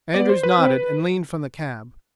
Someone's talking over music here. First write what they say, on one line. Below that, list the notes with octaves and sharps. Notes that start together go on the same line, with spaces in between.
Andrews nodded and leaned from the cab.
B3 D5
C5
B4
C4